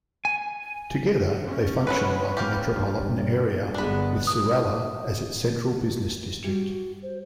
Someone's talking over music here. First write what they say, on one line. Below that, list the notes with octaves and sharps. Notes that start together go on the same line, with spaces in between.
Together they function like a metropolitan area with Surallah as its Central Business District.
G#5
C#4
F#3 G#3 B4 C#5
A#3 F4 G4
G2
G1 G#3 B3 D4 B4
D#6
G3 F#4
C5